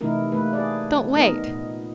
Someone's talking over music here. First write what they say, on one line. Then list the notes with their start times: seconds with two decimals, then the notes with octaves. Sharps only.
Don't wait.
0.01 C3 E3 A3 D#4 E4 A#4
0.32 A3 A#3 B4
0.53 G#4 D5
1.15 B3 D#4 A#4 D#5
1.28 B3
1.47 A#2